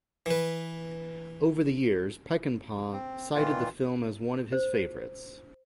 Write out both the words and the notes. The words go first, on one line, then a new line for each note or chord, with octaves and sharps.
Over the years, Peckinpah cited the film as one of his favorites.
E3 B4
C4
A#2 D#3 E3 F4
C5